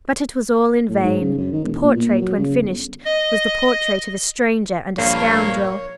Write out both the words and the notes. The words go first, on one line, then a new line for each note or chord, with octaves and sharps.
But it was all in vain: the portrait when finished was the portrait of a stranger and a scoundrel.
A2
G#2
C#3
F#2
D#3
E1
A#2
A#2
F#3
C#3
G1
D#5
A#1 G2 A#3 C#5